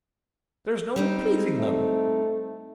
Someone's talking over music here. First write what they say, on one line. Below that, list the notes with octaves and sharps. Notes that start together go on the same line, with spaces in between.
There's no pleasing them!'
G3 C4 D#4
A3